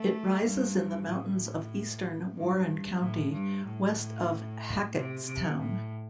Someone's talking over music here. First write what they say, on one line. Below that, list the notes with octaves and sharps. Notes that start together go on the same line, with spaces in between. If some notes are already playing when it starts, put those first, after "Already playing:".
It rises in the mountains of eastern Warren County, west of Hackettstown.
Already playing: A3
G2
A2
G2
A2
G2
A2
C3
C3
A2